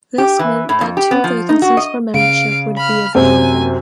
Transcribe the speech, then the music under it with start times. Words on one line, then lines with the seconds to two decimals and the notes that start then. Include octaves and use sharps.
This meant that two vacancies for membership would be available.
0.18 G4
0.39 E3
0.69 A2
0.81 F2
0.97 G4
1.11 B3
1.24 F3
1.49 D#4
1.62 F#4
1.77 D#5
2.14 C#3 F5 D7
2.77 B5 F6
3.15 F#2 C3 C4 G#5